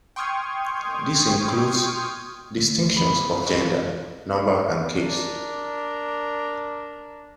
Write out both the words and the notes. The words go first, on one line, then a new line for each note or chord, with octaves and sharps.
This includes distinctions of gender, number and case.
G5 C6 C#6 D#6 F6 G#6
D2
B3 E4 G#4 B5
D4 A#4